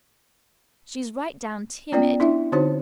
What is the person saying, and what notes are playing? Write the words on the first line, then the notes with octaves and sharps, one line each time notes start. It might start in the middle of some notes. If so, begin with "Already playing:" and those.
She's right down timid.
B3 C#4 F4 D5 G5
D4 E4 E5
D3 C4 D#4 F#4 C5 C#5